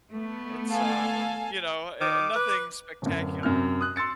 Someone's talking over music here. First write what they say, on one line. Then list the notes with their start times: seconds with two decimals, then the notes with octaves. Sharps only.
it's, um, you know, uh uh, nothing spectacular,
0.11 A3 B3
0.71 A4 F5 G#5
2.01 D#3 D6
2.35 B4
3.02 D1 F#2
3.43 F#2 C3 F6
3.81 D#6 F#6
3.96 C6 E6 A6 C#7